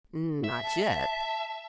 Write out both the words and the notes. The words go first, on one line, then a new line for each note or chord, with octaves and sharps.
"Not yet."
E5
A5